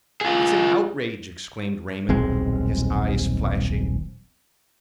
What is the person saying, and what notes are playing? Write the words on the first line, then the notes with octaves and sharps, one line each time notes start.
"It's an outrage!" exclaimed Raymond, his eyes flashing.
F4 G#4
D#1 B1 G#3 C4